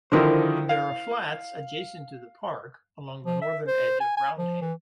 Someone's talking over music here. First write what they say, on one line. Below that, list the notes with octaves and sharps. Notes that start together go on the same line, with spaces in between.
There are flats adjacent to the park and along the northern edge of Roundhay.
D3 D#3 F3 E4 A#4 C5
F5
F3
E5
C5
G#5
G#5
F3
E3